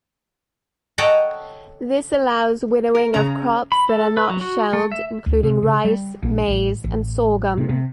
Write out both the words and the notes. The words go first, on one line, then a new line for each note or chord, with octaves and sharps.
This allows winnowing of crops that are not shelled, including rice, maize, and sorghum.
A4 C#5 D#5 F#5 G5 A#5
A#4
C#3 C#4 A#5
B5
A4
B4
F#3
F#4
A3
E5
D2
C3
C#3
G3
A#1
A1
A1
C3
C3